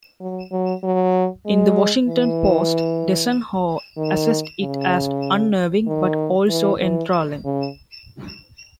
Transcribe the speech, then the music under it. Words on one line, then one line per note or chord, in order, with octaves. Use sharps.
In "The Washington Post", Desson Howe assessed it as "unnerving but also enthralling".
F#3
F#3
F#3
G#3
E3
D#3
C#3
D#3
E3
E3
C#3